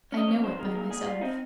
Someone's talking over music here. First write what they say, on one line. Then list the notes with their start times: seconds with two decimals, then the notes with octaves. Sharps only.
I know it by myself.
0.12 C#4 D#5
0.28 F2 C#5
0.44 D#3 C5
0.59 G#3 A#4
0.75 A#2 A#4
0.90 A#2 G#4
1.06 G3 F4
1.21 C4 D#4